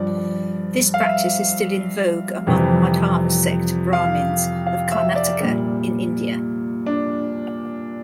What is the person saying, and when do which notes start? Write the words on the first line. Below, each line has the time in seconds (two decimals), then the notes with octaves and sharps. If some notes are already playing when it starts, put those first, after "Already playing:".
This practice is still in vogue among Madhava sect Brahmins of Karnataka in India.
Already playing: G2 F3 D5
0.94 F5
1.00 E5
2.47 F2 C3 E3 G3
3.93 F5
4.66 F5
4.92 E5
5.15 D5
5.41 A#2 G3
6.86 D4